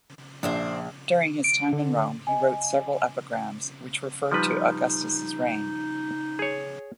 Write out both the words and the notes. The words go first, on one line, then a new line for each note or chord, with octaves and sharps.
During his time in Rome, he wrote several epigrams, which refer to Augustus' reign.
A#1 D4 E4 C5
D7
D3
D#5 G#5
F3 G3 D#4 B4
G#4 C#5